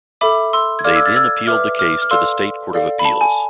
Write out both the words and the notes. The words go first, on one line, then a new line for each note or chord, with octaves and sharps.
They then appealed the case to the state Court of Appeals.
A4 E5 B5 D6
C6 E6
G#6
A4 D5 F5 D6 F6
E6 G#6
F6 A6
E6 G#6
B4 E5 D6 F6
D6 F6
F6
A4 D5 F5 C6 E6
A4 D5 F5
B5
A5
G#5